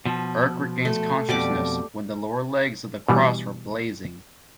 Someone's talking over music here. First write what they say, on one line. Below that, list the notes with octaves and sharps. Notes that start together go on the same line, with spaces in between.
Erg regains consciousness when the lower legs of the cross were blazing.
B2 F3
A3
F2 B2 G4 D5 D6
B2 E3 G3